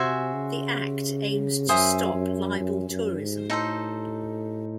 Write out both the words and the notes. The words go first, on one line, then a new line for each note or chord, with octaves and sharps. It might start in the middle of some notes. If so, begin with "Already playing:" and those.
The Act aims to stop libel tourism.
Already playing: C3 F#4 C5 E5 G#5
C#3
F#2 C5 E5 G#5 D#6
F#2
F#2
F#2
G#2
A2 D#4 A4 C5